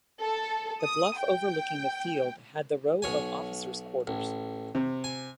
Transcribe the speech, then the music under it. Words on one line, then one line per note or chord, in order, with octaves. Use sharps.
The bluff overlooking the field had the row of officer's quarters.
A4
D#6
G5
B1 C#5 G#5
A1
C3
G#5